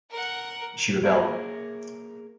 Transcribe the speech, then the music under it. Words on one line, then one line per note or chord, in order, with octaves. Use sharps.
She rebelled.
A#4 F#5
A#3 G#4 A#4 C#5 E5